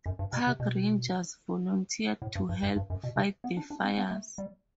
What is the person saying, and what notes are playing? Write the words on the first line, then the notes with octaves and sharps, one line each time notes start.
Park rangers volunteered to help fight the fires.
F#2
G2
B2
C3
B2
A2
G2
G2
G2
G2
F#2
B2
C3
B3
D4
D4
C4
B3
A3
G3